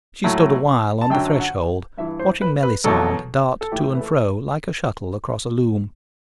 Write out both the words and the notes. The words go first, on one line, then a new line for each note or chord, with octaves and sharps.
She stood awhile on the threshold, watching Melisande dart to and fro like a shuttle across a loom.
A2 F#3 A5
A5
F#2 D3 F#3 G5
F#5
G2 E3 E5
C5
B4
B4
E2 B2 F#3 A4
A4
A2 E3 G4
B4
A4